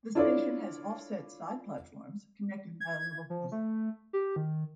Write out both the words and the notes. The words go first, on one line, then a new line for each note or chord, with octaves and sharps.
The station has offset side platforms connected by a level crossing.
D4 E4 F4 A4 C#5 D5
G#6
F3
A3
G4
D#3